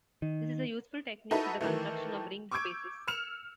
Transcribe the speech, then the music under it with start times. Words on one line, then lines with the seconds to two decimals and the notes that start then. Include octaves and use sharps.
This is a useful technique for the construction of ringed spaces.
0.22 D#3
1.31 D#4 E4 F#4 A4 B4 E5
1.61 D#3 E3 A3
2.51 C#6 D6 E6 G6 G#6 D7
3.07 E6 F6 C#7 E7 F7